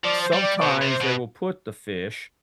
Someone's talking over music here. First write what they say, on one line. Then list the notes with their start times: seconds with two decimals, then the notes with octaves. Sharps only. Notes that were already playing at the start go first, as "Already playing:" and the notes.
sometimes they will put the fish
0.04 F3 D5
0.23 C5
0.33 G3
0.42 D5
0.57 D5
0.62 B2 C5
0.77 C3 B4
0.91 C5
1.00 B2 B4